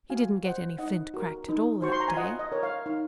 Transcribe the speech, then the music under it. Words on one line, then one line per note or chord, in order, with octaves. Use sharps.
He didn't get any flint cracked at all that day.
F#4 F5 G#5
C5 D#5 F#5
D#4 D#5 F#5
F#4 A#4
D#4
F#4 C5 C#6
C6
A#5
G#5
F4 D#5 F#5
D#5
A#4 C#5
C#5 F5
D#4 F5